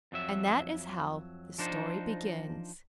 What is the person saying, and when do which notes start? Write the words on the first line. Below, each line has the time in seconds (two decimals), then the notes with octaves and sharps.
And that is how this story begins.
0.12 F2 F#3 E5
1.59 F3 D4 D#4 C5